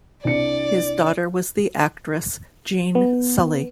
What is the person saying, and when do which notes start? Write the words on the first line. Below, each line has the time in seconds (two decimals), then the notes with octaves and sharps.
His daughter was the actress Jeanne Sully.
0.24 C2 D4 D5 C#7
2.95 B3